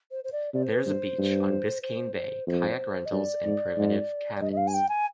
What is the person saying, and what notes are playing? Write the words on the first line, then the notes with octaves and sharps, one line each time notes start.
There is a beach on Biscayne Bay, kayak rentals, and primitive cabins.
C5
C5
D5
C3 D5
C5
B4
G2 C5
G2
C5
C5
F2 C5
D#5
G2 D5
G#2
G#2
D5
G2 D#5
D#5
F5
G#5
G5
G#5